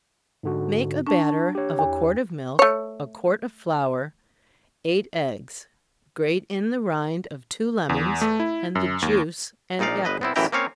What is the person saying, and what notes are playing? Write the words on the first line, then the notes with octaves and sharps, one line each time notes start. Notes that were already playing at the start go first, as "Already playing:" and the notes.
Make a batter of a quart of milk, a quart of flour, eight eggs--grate in the rind of two lemons, and the juice and apples.
G#2 D3 F#4
D4 A5 C#6
G4 C#5
E2
A3 C#5
E2
A3
E4
F#2
D#2
A#1 A#2 D#4 D5 F5
G1 B4 D#5
B3 C4 E4
A1 F#2 E3 E4 G5 A#5
A#3 C4 C#4 C#5 F5